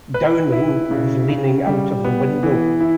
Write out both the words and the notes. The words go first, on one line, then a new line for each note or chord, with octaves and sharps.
Downing was leaning out of the window.
B4
E4
C#3
C#3
G3
B3
E3
E4